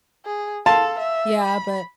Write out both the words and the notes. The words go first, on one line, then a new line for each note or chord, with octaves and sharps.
Yeah, but
G#4
A4 F5 A5 C6
E5
B5